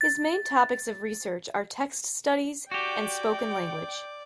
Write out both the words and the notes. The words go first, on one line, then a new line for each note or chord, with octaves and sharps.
His main topics of research are text studies and spoken language.
A6
F#4 G4 D5 G5